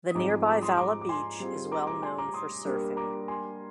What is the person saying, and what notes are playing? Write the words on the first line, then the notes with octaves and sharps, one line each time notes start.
The nearby Valla Beach is well known for surfing.
D#6
G#2 F3 C4 D#4 G#4 A#5 D6
A#5 D6
C6 D#6
A#5 D6
D6
G#5 C6
G3 C4 F4 G#4
A#5 D6
A#5 D6
G#5 C6
A#5 D6
C6 D#6
G3 A#3 D4 G4 A#4
A#5 D6
G#5 C6